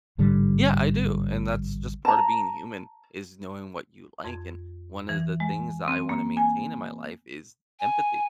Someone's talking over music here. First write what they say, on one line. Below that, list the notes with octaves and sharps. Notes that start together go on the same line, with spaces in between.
Yeah, I do, and that's just part of being human is knowing what you like and one of the things that I wanna maintain in my life is empathy.
A1 G#2 D3 G3
A5 A#5
F2
E3
G#3
C4
A#3
G#5
G#5